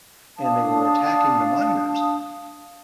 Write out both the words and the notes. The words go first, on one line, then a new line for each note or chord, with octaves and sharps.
and they were attacking the miners.
D4 F5 A5 D#6